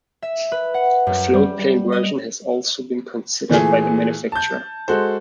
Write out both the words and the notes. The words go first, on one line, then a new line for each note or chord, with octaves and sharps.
A floatplane version has also been considered by the manufacturer.
E5
B4
F#5
F#2
G3
D#5
A#2 E3 A3 G#4
A5 G6
G#3 F#4 A4 C5